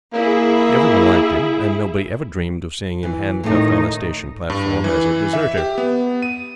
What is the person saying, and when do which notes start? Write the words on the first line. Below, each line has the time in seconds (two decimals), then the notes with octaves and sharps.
Everyone liked him; and nobody ever dreamed of seeing him handcuffed on a station platform as a deserter.
0.13 A#3 E4 G#4
3.03 E3
3.44 A2 D#3 A3 D#4
4.50 G2
4.84 E3
5.33 E5
5.57 G4
5.78 B3
6.22 D#7